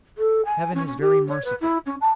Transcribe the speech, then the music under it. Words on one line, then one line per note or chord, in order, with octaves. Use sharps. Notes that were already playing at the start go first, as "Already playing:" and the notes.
Heaven is very merciful.
A4
G#5
C#4
C#4
G4
C#5
B4
E4
C#4
A5